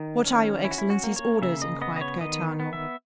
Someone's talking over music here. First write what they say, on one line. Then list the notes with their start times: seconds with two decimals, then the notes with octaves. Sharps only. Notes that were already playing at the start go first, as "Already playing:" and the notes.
"What are your excellency's orders?" inquired Gaetano.
Already playing: D#3 D#4
0.25 C#4
0.64 C#4 E4
0.71 F#4
0.78 E4
0.90 F#4
1.04 A#3
1.16 C#5
1.42 C#3 E5
1.62 D#5
1.81 B3 D#5
1.96 D#5
2.01 C#5
2.21 D#3 D#5
2.60 B3
2.73 E5